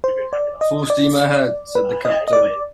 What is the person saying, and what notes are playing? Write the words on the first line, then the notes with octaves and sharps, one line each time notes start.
"Full steam ahead," said the captain.
C5
D5
D#5
D5
B4
D#5
D#5
D5